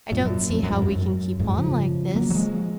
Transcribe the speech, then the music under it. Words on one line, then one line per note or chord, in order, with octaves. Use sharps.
I don't see how we can keep on like this.
F#2 A#2
F#2 A#2
F2
F#2
F2 G#2
F#2
F#2
F2 G#2
C#3 F3
F#3 A#3
F#3
F3 G#3